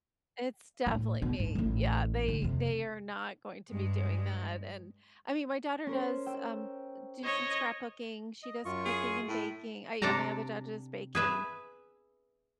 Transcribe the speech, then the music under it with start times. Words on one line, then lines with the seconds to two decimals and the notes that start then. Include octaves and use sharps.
It's definitely me. Yeah, they they are not going to be doing that, and I mean, my daughter does, um, d do some scrapbooking; she does cooking and baking. Uh, yeah, my other daughter does baking.
0.87 A2
1.22 B2
1.39 G#2
1.55 A1 A2
2.28 D3
2.42 F2 C3
3.71 G2 G#3
5.87 C#4 A#4 C5
6.26 G5 E6
7.24 C#5 D#5
8.43 D#5
8.65 F#2 F4 C#6
8.85 G#4
9.28 A2
10.02 C3 D4 A4 A5 A#5
11.15 G#4 B4 E5